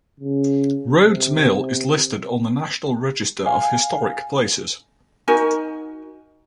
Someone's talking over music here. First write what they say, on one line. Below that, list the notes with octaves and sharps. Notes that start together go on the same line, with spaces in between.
Rhodes Mill is listed on the National Register of Historic Places.
C#3
C3
F5 G#5
D#4 F#4 A#4 G#5